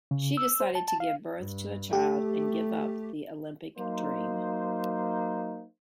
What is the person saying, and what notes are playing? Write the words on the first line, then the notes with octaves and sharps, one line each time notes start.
She decided to give birth to a child and give up the Olympic dream.
C#3
E6
C5
A5
A5
F5
G2
A3 G4
F#3 A#3 D#4 C5